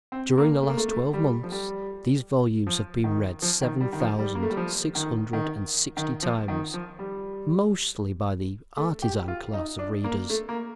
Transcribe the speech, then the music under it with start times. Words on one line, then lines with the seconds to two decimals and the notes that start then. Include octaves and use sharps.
During the last twelve months these volumes have been read seven thousand six hundred and sixty times, mostly by the artisan class of readers.
0.12 C4
0.38 A#3
0.63 A3
0.70 A#3
0.77 A3
0.88 A3
1.13 G3
1.43 F3
1.52 G3
2.67 F3
3.04 D#3
3.42 F3
3.62 D#3
3.81 G3
3.93 D#3
4.00 F3
4.19 G3
4.35 A#3
4.42 A3
4.50 G3
4.57 F3
4.95 D#3
5.33 D#3
5.97 D#3
6.22 F3
6.48 D#3
6.74 F3
6.99 G3
8.77 A3
9.02 G4
9.28 F4
9.54 D#4
9.79 D4
10.04 A#3
10.30 A3
10.49 A#3